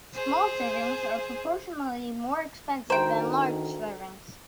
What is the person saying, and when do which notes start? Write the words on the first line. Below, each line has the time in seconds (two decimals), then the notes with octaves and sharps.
Small servings are proportionally more expensive than large servings.
0.14 G#4 C5
2.90 D2 D#3 C5 G5 A#5